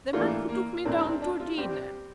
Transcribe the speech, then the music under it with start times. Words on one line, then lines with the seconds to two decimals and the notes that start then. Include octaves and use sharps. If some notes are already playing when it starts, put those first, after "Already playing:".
The man who took me down to dinner!
0.13 E3 A3 A#3 D4 F4
0.49 A#3
0.85 A#2 A3 C4 E4
0.99 D4
1.04 C4
1.22 D4
1.40 F4
1.57 G3 C4 G4